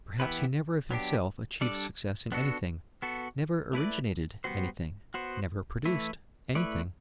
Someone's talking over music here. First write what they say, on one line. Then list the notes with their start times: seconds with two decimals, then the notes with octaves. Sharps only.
Perhaps he never of himself achieved success in anything, never originated anything, never produced anything?
0.20 E3 B3 E4 G4 B4
0.91 F#3 B3 D4 G4
1.61 G3 D4 A4 D5
2.32 B3 D4 F#4 A4
3.02 B3 F#4 A4
3.73 A3 E4 B4 D5
4.44 G3 B3 F#4 C5
5.14 B3 F#4 C5
5.85 E3 A3 E4 B4
6.55 A3 E4 B4 D5